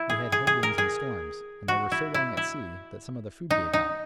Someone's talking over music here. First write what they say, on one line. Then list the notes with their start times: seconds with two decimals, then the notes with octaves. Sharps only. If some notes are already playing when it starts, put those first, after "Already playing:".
They had head-winds and storms, and they were so long at sea that some of the food gave out.
Already playing: E4
0.10 G#4
0.32 G#4
0.47 G#4
0.63 A#4
0.78 G#4
1.68 F#4
1.92 E4
2.14 E4
2.37 E4
3.51 D#4
3.73 D#4